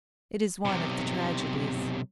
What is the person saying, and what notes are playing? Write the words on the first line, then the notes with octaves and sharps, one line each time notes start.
It is one of the tragedies.
B1 C3